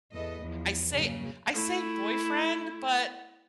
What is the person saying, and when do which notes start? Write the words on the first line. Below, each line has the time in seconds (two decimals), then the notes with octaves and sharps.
I say I say boyfriend, but
0.13 E2 A4 B4 D#5
0.42 E2 F3
0.91 G2 C#3 F#3 A#3
1.53 A3 E4